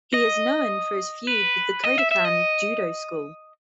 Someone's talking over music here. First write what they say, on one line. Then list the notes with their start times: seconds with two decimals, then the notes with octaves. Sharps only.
He is known for his feud with the Kodokan judo school.
0.14 D#5
1.27 B4
1.84 D#5
1.98 E5
2.11 E5
2.25 D#5